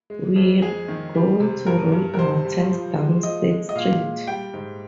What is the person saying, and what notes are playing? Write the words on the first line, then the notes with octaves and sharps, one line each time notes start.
We're going to roll our tanks down State Street.
G#3
F2
G#3 G#4
D#3
G3
C3
G2 A#4
G2
A#4
C3 C5
G3
F3
G#3
F3 D#5
G#3
D#5
A#2 F5
G#3
G3 G5
G#2